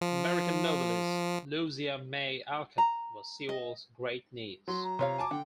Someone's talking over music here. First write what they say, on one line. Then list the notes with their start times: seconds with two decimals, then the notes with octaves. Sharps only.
American novelist Louisa May Alcott was Sewall's great niece.
0.01 F3
2.78 A#5
3.49 D#5
4.68 F#3 C6
4.84 A#5
4.99 C3 F4 C#5 F5
5.18 G#5 A5 D6
5.31 D3 F#5 G5